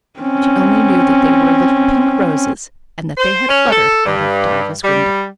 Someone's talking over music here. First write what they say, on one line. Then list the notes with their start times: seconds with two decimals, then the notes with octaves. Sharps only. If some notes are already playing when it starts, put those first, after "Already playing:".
She only knew that they were little pink roses, and that they had fluttered out of Diva's window. . . .
0.20 C4 C#4
3.17 C5
3.49 C#4
3.70 A4
4.05 G2
4.83 G3